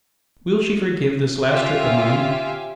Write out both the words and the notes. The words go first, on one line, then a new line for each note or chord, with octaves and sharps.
Will she forgive this last trick of mine?
C#4 F4 G4 E5 F5 G#5